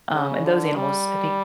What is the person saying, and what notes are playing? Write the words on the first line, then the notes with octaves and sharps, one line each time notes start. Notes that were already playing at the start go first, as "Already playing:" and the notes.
um, and those animals, I think
C#3
D3
G3